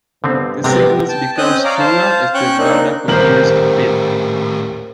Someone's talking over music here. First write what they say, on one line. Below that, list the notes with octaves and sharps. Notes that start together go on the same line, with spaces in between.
The signals become stronger as the bladder continues to fill.
G2 D3 B3 C4
C3 B3 C4 D4 G4 A#4 B4
G5 A5
C4 C#4 D#5 D#6 F#6 G6
C#5 D5 F5 A#5 D6
C5 F5 A5
C#4 G5 C#6 F#6 G6
A#3 C4 D4 D#4 F#6
D#1 A2 G4 A#4 C5 F#7